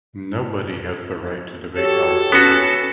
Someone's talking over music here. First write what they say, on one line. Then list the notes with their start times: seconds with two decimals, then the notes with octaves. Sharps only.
Nobody has the right to debate our borders.
1.77 F#4 G4 A4 C#5
2.32 B3 C#4 F#4